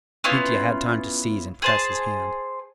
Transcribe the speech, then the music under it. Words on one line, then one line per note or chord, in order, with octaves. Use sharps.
Mitya had time to seize and press his hand.
B3 C#4 E4 F4
G#4 C5 A5